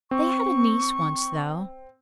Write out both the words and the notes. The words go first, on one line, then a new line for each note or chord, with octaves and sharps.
They had a niece once, though.
C4 C#6